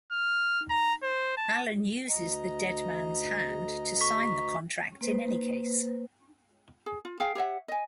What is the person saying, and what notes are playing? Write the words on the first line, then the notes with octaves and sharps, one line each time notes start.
Alan uses the dead mans hand to sign the contract in any case.
F6
A#5
C5
A5
D2 D#5 A#5
C#6 B6
A#3 B4 C5
G#4
F4
G#4 F5 G5
G4 C#5 E5 F#5
D#5 G#5